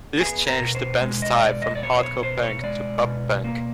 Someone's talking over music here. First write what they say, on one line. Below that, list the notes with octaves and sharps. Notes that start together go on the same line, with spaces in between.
This changed the band's style from hardcore punk to pop punk.
B3 G#4
A#4
B2
C5
G#3
D#5
B2 D5
D#5
D5
B3 C#5
C5
C#5
B2 C5
C#5
G#3 D5
B2
A#3